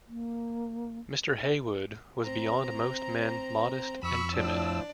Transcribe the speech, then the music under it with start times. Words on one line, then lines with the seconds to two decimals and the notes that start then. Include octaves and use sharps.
Mr. Heywood was beyond most men modest and timid.
0.08 A#3
2.24 C4 A#5
4.03 F2 B5 C#6 E6
4.35 A2 F3 D4 D5